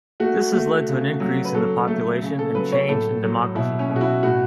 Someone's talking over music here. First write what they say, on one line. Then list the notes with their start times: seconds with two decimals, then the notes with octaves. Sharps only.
This has led to an increase in the population and change in demography.
0.20 A3 F#4
0.53 A3
0.88 C#3
1.20 F#3
1.45 B4
1.55 F#3 A4
1.88 A3 A4
2.22 C#3
2.39 A4
2.55 F#3 B4
2.72 C#5
2.88 A2 A4
3.23 F#3
3.56 B2 E4
3.79 C#4
3.90 B2
3.96 F#4
4.01 E4
4.23 A2 F#4